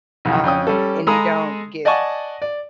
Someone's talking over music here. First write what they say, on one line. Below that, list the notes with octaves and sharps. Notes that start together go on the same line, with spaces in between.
um, and you don't get
B1 F2 C#3 E3
F2 C#4 G5 D#6
G3 C#4 A4
G#3 G#4 A4 A#5 B5 D#6
D5 D#5 F#5 G#5 A5 C#6
D5